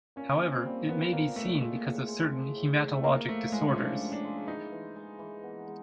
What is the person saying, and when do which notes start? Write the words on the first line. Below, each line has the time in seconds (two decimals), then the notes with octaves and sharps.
However, it may be seen because of certain hematologic disorders.
0.16 A#2 C#4
0.40 A#2
0.52 C4
0.65 G3
0.89 A#2 B3
1.12 A#2 A#3
1.36 A#2 A3
1.60 G#3 A3
1.84 A2
2.08 G#3
2.32 G#3
2.56 A2
2.80 A2
2.93 A3
3.04 A2 A#3
3.28 F3 A3
3.52 A2 G#3
3.68 C#4
3.75 F3 D4
4.00 A2
4.12 D4
4.24 G#3
4.47 E3 D#4
4.72 E3
4.96 G#3
5.19 E3
5.43 B3
5.67 G#3